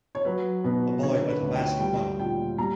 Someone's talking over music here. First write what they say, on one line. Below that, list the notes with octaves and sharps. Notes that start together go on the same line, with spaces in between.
A boy with a basketball.
C#5
F#3 B4
B2 B4
D3 C#5
B4
D2
G5
G3 G5
A#2 G5
G3 A#5